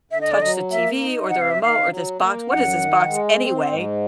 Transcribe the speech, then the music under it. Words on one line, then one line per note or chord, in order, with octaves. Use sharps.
touch the TV or the remote or this box? What is this box anyway?"
D3 E5
D#5
D5
F#3 D#5
A#3 E5
D#4
C3 F#5
F5
E5
D#3 F5
F#3
A#3
F#2 F#5
D#3
G#3
C4
G#2